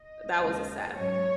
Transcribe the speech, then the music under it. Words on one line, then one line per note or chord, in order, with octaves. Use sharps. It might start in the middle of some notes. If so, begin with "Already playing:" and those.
That was a sad
Already playing: D#5
D#2 C#3 G#3
G#2 F#3 A#3 C#4 C#5